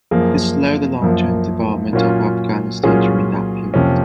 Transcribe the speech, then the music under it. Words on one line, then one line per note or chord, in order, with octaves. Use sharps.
This slowed the long-term development of Afghanistan during that period.
F#2 F3 A#3 G#4
F#2 F3 A#3
A#2 F#3 C#4 F4
A#2 F#3 C#4 F4 G#4
F2 C3 F3 A#3 C#4